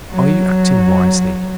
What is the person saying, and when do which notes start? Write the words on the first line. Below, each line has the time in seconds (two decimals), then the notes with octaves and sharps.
'Are you acting wisely?
0.11 F#3